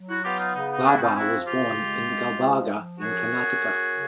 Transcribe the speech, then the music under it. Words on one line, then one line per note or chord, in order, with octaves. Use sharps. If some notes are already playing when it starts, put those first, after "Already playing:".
Babar was born in Gulbarga in Karnataka.
Already playing: F#3
E4 F#4
B3 F4 G4
D#4 F4
C#3 D#4
D#4
C4 D4 E4
F#4
D#4 F4
F3 E4 F#4
C#3 F4 G4
G#3
G#3
F3
F3
F#2 F#4 G#4
F#2
F#2
C#3